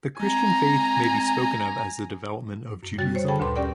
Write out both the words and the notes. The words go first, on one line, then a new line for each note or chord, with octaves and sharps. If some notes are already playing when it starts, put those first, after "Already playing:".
The Christian Faith may be spoken of as the development of Judaism.
G#3 C4 G#5 A#5
F#2
C#3 G3 F#4 A6
C5 C#5
G#4 A4 G5 A5 B5
D2 A#2 D4 B4 C6 D6
C#4 G4 A#4 D5 G5